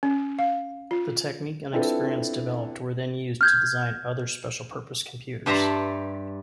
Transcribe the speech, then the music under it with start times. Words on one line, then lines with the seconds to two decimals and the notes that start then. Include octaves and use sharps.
The technique and experience developed were then used to design other special-purpose computers.
0.03 C#4
0.39 F5
0.91 F4
1.73 C4 D4 E4 F4 A4 B4
3.41 F6 G6 G#6
5.46 G2 G3 E5 A5 A#5 C6